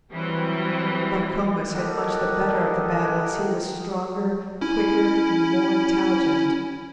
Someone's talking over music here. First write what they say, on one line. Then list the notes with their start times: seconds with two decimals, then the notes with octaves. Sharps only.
Bar Comas had much the better of the battle as he was stronger, quicker and more intelligent.
0.13 E3 F#3 G3 C4 E4
1.74 G4 A4 A#4 D#5 F#5
4.61 C#4 E4